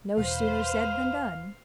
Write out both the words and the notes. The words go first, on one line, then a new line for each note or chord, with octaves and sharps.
No sooner said than done.
E2 B2 E3 B4 C5 F5